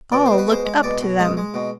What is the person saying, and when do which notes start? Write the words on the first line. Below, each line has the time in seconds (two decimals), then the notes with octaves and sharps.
All looked up to them.
0.12 B2 D5
0.26 B2 C5
0.38 B4
0.48 G#3 C5
0.65 G#3
0.83 B2 D5
1.01 B2
1.19 G#3 D#5
1.37 G#3
1.54 B2